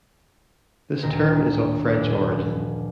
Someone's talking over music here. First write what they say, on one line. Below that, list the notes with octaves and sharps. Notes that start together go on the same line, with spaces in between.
The term is of French origin.
D2 A#2 D#3 A#4 A#5 G6
F1 D5